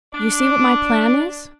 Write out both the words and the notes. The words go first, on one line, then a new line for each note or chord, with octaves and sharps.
You see what my plan is?
D4